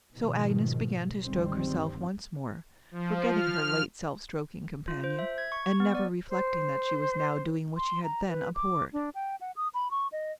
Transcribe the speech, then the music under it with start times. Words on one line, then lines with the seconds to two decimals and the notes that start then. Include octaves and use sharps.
So Agnes began to stroke herself once more, forgetting her late self-stroking companion, and never reflecting that she was now doing what she had then abhorred.
0.16 G#2 B2 D#3 F3 G#3
1.20 G1 C#2 G#2 D#3 G3 C4
2.91 F3
3.30 F6
4.88 F4
5.04 C5
5.19 E5
5.38 G#6
5.52 C#6
5.66 C#6
5.80 B3
5.95 D5
6.32 C5
7.76 C6
8.04 A#5
8.29 B4
8.55 D6
8.93 D4
9.15 G5
9.41 F#5
9.56 D#6
9.74 B5
9.91 C#6
10.12 D#5